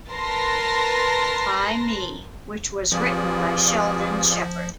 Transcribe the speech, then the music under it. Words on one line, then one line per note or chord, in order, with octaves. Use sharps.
By Me, which was written by Sheldon Sheppard.
A#4 B4 A5 A#5 C6 A#6
F3 C4 F4 G4 G#4 B4 D5